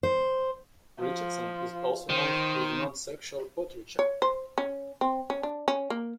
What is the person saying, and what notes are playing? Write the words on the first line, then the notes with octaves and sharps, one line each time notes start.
Richardson is also known for his nonsexual portraiture.
C5
F3
D#3 C5
C#5
C5
C#4
C4
C#4
D4
C#4
A#3